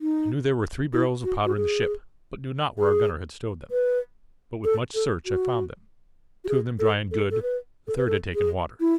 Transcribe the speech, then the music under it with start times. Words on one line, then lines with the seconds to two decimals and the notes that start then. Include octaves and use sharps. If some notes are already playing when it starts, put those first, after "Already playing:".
I knew there were three barrels of powder in the ship, but knew not where our gunner had stowed them; but with much search I found them, two of them dry and good, the third had taken water.
0.01 D#4
0.93 E4
1.24 F#4
1.46 F#4
1.56 G#4
2.78 G#4
3.71 B4
4.65 A4
4.95 A4
5.26 F#4
6.44 F#4
6.49 G#4
6.79 A4
7.11 A4
7.31 A4
7.42 B4
7.88 A4
7.97 B4
8.07 A4
8.35 G#4
8.80 E4